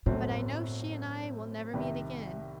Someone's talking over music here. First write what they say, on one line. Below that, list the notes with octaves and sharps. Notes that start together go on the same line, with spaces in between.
But I know she and I will never meet again.
G1 F#2 A2 F#3 A3 C4
C2 C3 D#3